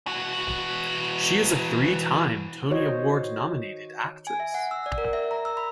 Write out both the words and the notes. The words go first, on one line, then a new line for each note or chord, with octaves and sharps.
She is a three-time Tony Award-nominated actress.
E3 F#4
D#3 F#4 C5 C#5 D#5
G#5
E5
F#5
E6
D5
A#4
E5
A#5
E6
B5